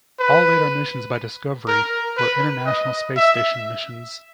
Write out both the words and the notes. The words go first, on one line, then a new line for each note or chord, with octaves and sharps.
All later missions by Discovery were International Space Station missions.
B4
A#4
B4
D#5
E5